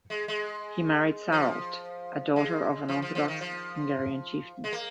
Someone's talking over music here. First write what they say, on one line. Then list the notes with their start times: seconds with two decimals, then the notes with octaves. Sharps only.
He married Sarolt, a daughter of an Orthodox Hungarian chieftain.
0.10 G#3
0.28 G#3
1.32 F3
2.36 G#3
2.88 F3
3.02 F3
3.15 F3
3.28 D#3
3.41 F3
4.64 G#3
4.73 A#3